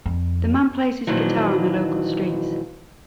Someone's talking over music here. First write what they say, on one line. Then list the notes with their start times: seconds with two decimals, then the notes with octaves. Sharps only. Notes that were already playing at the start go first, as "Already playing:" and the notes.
The man plays his guitar on the local streets.
0.06 F2
1.07 F2 A#2 D#3 E3 F#3